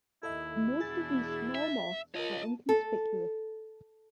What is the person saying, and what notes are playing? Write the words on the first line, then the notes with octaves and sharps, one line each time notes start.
Most of these small moths are inconspicuous.
D#2 E4 A4 D#5 E5
E2 B2 D4 G#4 A6
E5
F4 A#4 C#5 D#5 A5
A4